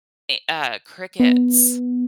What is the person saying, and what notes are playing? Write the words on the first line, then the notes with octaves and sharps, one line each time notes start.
E uh, crickets.
B3